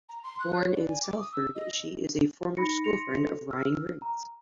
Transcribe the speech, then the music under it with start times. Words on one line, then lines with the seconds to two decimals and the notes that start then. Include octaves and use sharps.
Born in Salford, she is a former school friend of Ryan Giggs.
0.09 A#5
0.23 C6
0.40 F#6
0.55 C#5
0.75 D5
0.88 G#5
1.03 D6
1.20 D#6
1.32 E6
1.55 D#5
2.57 D#4 B5 A#6 C#7
2.84 C6 A#6 C#7 F7
3.16 A4
3.51 E6 F6
4.02 A#5